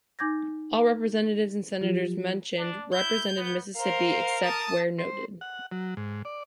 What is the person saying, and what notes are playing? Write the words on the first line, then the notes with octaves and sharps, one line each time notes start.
All representatives and senators mentioned represented Mississippi except where noted.
D#4 G#5 D6 G6 G#6 A#6
F3 F#3 F4 G4
D4
E4 G6
B3
A#4 C5 F5
A5 D#6
C5
F#5
F#3
G#2
D5